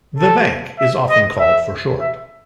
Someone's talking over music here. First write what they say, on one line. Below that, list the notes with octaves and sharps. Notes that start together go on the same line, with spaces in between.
The Bank is often called for short.
A4
E5
D#5
E5
E5